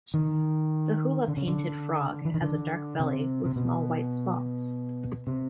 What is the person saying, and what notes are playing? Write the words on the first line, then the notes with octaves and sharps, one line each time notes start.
The Hula painted frog has a dark belly with small white spots.
D#3
D3
C#3
D3
E3
D#3
D3
C3
C3
B2
C3